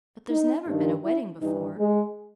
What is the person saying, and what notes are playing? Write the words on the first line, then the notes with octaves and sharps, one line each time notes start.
But there's never been a wedding before.
D#4
G2 D#3
E4
G2 E3 D#4
G#3